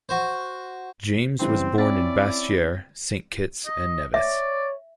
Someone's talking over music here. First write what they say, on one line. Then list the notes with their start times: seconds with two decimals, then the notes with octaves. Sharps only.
James was born in Basseterre, Saint Kitts and Nevis.
0.09 F#4 C5
1.40 C#3 E3 G3 C4
1.78 C4 C#4 E4 D5 G5 A6
3.66 D#5
4.14 C#5 D5 E5